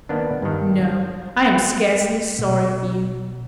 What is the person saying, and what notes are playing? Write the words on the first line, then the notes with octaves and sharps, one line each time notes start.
No; I am scarcely sorry for you.
D#3 A#3 B3 D4
G2 D#3
B2